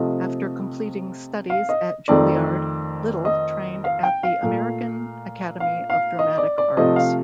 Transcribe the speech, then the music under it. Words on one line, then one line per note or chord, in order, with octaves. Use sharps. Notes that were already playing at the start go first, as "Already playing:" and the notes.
After completing studies at Juilliard, Little trained at the American Academy of Dramatic Arts.
Already playing: C3 F3 A3 D#5
F5
D#5
F2 D#3 A3 D5
D#5
F5
G5
F5
A#2 A3
F5
F5
D#5
D5
D5
C3 F3 A3 D#5
F5